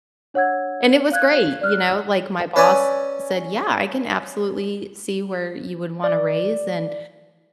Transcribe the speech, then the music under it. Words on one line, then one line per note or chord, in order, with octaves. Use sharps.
And it was great, you know, like, my boss said, "Yeah. I can absolutely see where you would want a raise, and,
D4 C#5 F#5 E6 G#6
F5 F#6 G#6
D5 F6 F#6
C#4 B4 D5 E5 G#5
D5